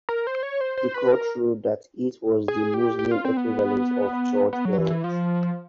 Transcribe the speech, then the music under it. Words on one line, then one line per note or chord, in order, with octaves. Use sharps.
The court ruled that it was the Muslim equivalent of church bells.
A#4
C5
C#5
C5
C5
B4
A#4
G#4
G4
G4
F4
C4
B3
B3
F#3
E3
E3
F3